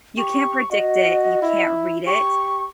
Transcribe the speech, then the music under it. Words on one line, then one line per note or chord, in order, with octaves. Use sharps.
you can't predict it, you can't read it,
G4 C#6
F#4 D#5
E4
G4 C#6